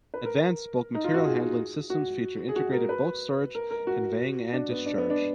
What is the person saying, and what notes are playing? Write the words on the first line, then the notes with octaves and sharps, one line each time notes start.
Advanced bulk material handling systems feature integrated bulk storage, conveying, and discharge.
B4
A#4
D#4
F4
F#4
G#4
F#4
G#4
F#4
A#4
B4
A#4
A#4
F#4
D4
B3
D4
B3
D4